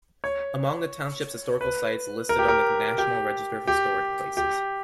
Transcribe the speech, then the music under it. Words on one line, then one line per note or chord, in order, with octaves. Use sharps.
Among the Township's historical sites listed on the National Register of Historic Places.
C#5
B4
A#4
G4
A#4
G4
G4
G4